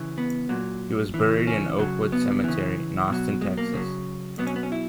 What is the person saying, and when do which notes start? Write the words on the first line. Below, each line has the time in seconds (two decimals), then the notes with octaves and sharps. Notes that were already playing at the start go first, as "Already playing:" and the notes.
He was buried in Oakwood Cemetery in Austin, Texas.
Already playing: C#3 E3
0.18 B3
0.49 A#2 F#3
1.14 C#3 E3
1.47 C#4
1.79 C#3 F#3
2.12 B3
2.44 C#3 E3
3.09 B2 F#3
3.41 G#3
3.57 A#3
3.74 C#3 F#3
4.38 B2 F#3 B3
4.47 C#4
4.56 B3
4.63 C#4
4.72 E4